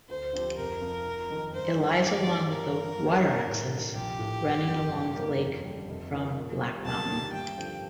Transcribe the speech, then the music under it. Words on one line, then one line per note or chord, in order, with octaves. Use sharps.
It lies along the 'water axis' running along the lake from Black Mountain.
D2 C5
D3 F3 C4 G4
F1 A#4
F2 C3 F3
F1
F2 D#3
G2 C5
D3 G3 D4 G4
G2 D5
F3 C4 D#4 G4
G2 A#4
D3 A3 D4 F4
F2
C3 D#3 G3 D4
A2
A3 D4
A#1 G4
A2 F3
G1
F2 D#3
G2
D#3 A#3
F2
D3 G3
F1
F2 D#3
A#2
G3 C4 G4
D#2 A5
D3 A3 D#4 G4
G2 G5
D3 F3 C4 G4